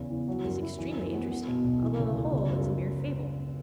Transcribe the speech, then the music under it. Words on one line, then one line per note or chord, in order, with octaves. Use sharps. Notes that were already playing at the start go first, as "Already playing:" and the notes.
It is extremely interesting, although the whole is a mere fable.
Already playing: E2 C#3
E3
F#3
F#2
E4
E3
F#2
B3
B3
B2
B1
E3
C#3
C#2
C#3
F#2